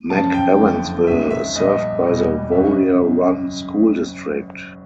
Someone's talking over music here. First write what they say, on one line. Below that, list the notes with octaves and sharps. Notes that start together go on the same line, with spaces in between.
McEwensville is served by the Warrior Run School District.
F#2 C#3 F3 A5
G5
F#1 F2 D3
C#2 C3 D#3 G#3 E5
E5
A#1 A#2 G3 B3 D#5
E1 E2 B2 G3 D#5
G#1 F#2 C#3 F#3 E5